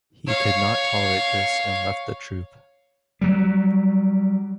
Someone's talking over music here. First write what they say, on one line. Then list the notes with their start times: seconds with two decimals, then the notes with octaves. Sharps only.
He could not tolerate this and left the troupe.
0.27 C#5 F5
3.21 F#3 G3